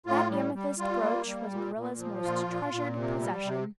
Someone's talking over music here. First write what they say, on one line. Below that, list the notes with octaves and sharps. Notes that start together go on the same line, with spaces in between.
That amethyst brooch was Marilla's most treasured possession.
A2 F4
G3
G3
G3 F4
A#3
G3
A#2
A#2
F3
A#2 F4
A#2
A#2
C3
G3
C3